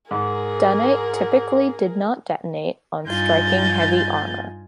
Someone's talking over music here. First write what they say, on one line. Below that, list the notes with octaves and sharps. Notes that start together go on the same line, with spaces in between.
Dunnite typically did not detonate on striking heavy armor.
G#2 G#4 A#4
G2 D#4 F4 G#5 G6 A6